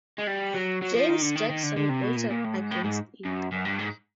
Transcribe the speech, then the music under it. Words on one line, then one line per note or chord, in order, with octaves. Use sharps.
James Jackson voted against it.
G#3
G3
F#3
F#3
F3
D#3
D3
D#3
D#3
D3
D3
C3
B2
A#2
A#2
A2
G#2
A2
G#2
F#2
F#2
G2
G#2